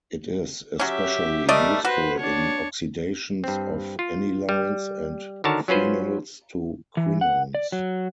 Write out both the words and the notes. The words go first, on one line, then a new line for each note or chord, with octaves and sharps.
It is especially useful in oxidations of anilines and phenols to quinones.
F#3 C#4 G4 E5
G3 A3 A#4 D5 D#5
F#4 B4 C5
D4 C#5
G2 C4
F4
G3
D3 D#3 F#4 A#4 C#5 A5
F#3 C#4 F4 B4 C5
E3
F#5
D5
F#3